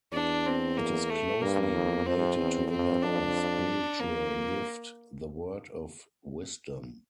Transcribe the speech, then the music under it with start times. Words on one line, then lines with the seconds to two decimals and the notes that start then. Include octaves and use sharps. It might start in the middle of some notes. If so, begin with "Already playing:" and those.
It is closely related to another spiritual gift, the word of wisdom.
0.13 E2 D4
0.46 C4
0.77 A#3
1.10 A3
1.41 G2 A#3
1.74 F2
2.06 F2 C4
2.39 E2
2.70 F2 C4
3.03 D4
3.99 F2 A#3
4.32 F2